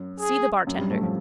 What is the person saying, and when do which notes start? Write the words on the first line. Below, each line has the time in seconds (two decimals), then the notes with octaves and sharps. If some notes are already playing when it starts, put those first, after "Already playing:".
See the bartender.
Already playing: F#2 F#3
0.21 G#4
0.67 F#2 F#3
0.78 G2 G3
0.90 A2 A3
1.02 F3